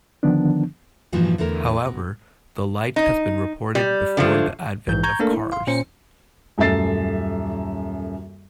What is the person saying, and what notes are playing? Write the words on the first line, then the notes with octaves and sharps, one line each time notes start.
However, the light has been reported before the advent of cars.
D3 D#3 F3 B3 D4
G2 A#2 E3 F3 D#4 F#4
E2 D3 A3 E4 A#4
B2
D#4
G3
D3 F3 A3
A#1 G#2 E3 G6
A#5 C#6 G6 G#6
A3 A#3 D4 A4 A#4
E4
F5 C6
A#2 C#4 C5 C#7
D#1 F#2 A3 E5 A6 C7